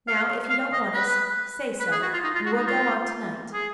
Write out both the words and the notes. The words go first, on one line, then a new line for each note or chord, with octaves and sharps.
Now, if you don't want us, say so, and we'll go on to-night.
F5
F5
D#5
B4
B4
G#4
F#4
F4
D#4
F4
F#4
D#4
F4
G#4